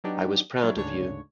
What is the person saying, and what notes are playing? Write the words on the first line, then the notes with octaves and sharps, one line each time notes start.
I was proud of you.
F#3 B3 D4 D#4 G4
F#3 G3 D4 E4 C#5
D2 G#2 C#3 D4 C#5